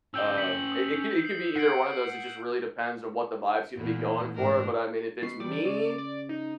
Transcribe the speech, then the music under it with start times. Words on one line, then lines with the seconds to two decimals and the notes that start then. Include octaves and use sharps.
Um, it i it could it could be either one of those, it just really depends on what the vibe's gonna be going for but, I mean, if it's me,
0.14 C#4 G5 E6 G6 G7
0.38 B6 C#7 F#7
0.72 D#6
1.24 C7
1.56 F#5 C7 D7
3.77 E2 A#2 A3
4.35 G#2 D4 A#4
5.23 B2 C7
5.40 E2 G3 D5
5.65 C#3 D5
5.98 D5
6.29 D#4